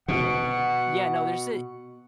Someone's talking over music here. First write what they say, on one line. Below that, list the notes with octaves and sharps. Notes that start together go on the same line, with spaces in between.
Yeah, no, there's a
B2 F#5